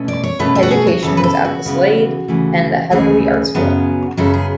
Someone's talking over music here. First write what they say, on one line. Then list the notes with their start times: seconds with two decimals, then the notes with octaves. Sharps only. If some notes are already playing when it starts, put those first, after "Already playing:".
Education was at the Slade and the Heatherley Art School.
Already playing: B2 A3 C#4
0.08 D5
0.24 C#5
0.39 B2 A3 C#4 B4
0.55 A4
0.63 F#4
0.71 G#4
0.87 F#4
1.02 C#3 E3 B3 A4
1.17 B4
1.24 A4
1.45 F#4
1.66 C#3 E3 B3
2.28 D2 C#3 E3 A3
2.91 D2 C#3 E3 A3 G#4
3.55 F#2 C#3 F#3 B3
4.17 F#2 C#3 F#3 B3 A4
4.34 G#4